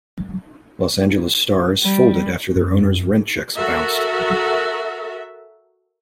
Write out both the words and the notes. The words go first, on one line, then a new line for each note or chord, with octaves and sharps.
Los Angeles Stars folded after their owner's rent checks bounced.
G3
F#2
F#4 A4 A#4 E5